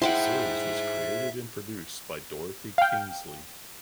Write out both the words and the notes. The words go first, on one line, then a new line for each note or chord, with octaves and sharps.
The series was created and produced by Dorothy Kingsley.
E4 G#4 C5 E5 F#5 G5 C6
F5 G5